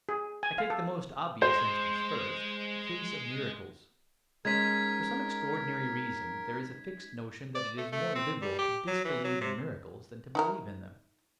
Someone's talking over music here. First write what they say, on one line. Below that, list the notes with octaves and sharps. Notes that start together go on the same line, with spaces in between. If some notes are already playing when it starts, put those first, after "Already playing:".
I take the most obvious instance first, the case of miracles. For some extraordinary reason, there is a fixed notion that it is more liberal to disbelieve in miracles than to believe in them.
G#4
G#5
F5
A4
G#3 C5
G#3 C#4 D#4 A#4 G#6 B6
D5
A3
A3
C4
G3
G4
F#3
E3
F#3
C3
D#4 E4 A#4